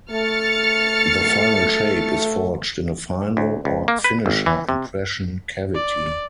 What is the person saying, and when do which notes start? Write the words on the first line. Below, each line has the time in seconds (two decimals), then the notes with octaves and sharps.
The final shape is forged in a "final" or "finisher" impression cavity.
0.11 A3 F6 A6 C#7
3.37 D2
3.65 C#2
3.88 A#3
4.04 B4
4.26 G#1
4.46 E3
4.69 C3
5.75 D5